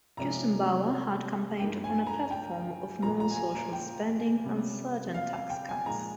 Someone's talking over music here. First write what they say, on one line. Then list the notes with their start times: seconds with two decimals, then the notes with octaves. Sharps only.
Gusenbauer had campaigned on a platform of more social spending and certain tax cuts.
0.17 C2 C3 F3 G#3 C#4 A#5
1.59 G2 F3 A#3 D#4 G5
1.84 G#5
2.07 A#5
2.31 G5
3.02 A#2 F3 A#3 A#5
3.20 A#5
3.31 G#5
3.37 A#5
3.55 A#5
3.73 G5
4.44 C3 G3 C#4
5.14 F5
5.33 F5
5.50 G5
5.69 G#5
5.86 A#2 F3 G#3 D#4 A#5